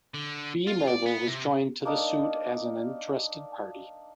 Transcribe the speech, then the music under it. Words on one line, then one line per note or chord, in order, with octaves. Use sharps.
"B"mobile was joined to the suit as an interested party.
D3
F4
D5
B3
C3
A#3 D4 D#4